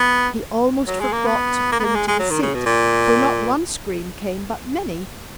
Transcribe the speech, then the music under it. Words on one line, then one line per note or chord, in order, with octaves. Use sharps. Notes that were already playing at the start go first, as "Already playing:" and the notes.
He almost forgot to cling to the seat. For not one scream came but many.
Already playing: B3
F#3
G#3
A#3
B3
A#3
B3
A#3
G#3
G#3
F#3
D#3
C#3
B2
A#2